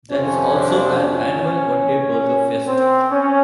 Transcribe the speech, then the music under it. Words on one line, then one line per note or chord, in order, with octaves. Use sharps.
There is also an annual one-day Burger Fest.
F2 C3 F3 C#4
D4
C#4
C#4
C4
C#4